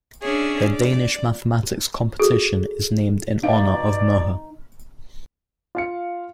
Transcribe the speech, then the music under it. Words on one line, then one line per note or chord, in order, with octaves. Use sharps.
The Danish Mathematics competition is named in honour of Mohr.
C#4 D4 G#4 C#5 E5
D5
F#4 G#4 A4
B2 D#4 D5 F5
F4 F5 C#7